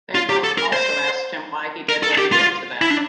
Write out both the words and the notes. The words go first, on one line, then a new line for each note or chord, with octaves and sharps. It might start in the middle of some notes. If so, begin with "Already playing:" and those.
They both also asked him why he did what he did to them.
F4
G4
A4
A#4
C5
A#4
A4
G4
F4
E4
D4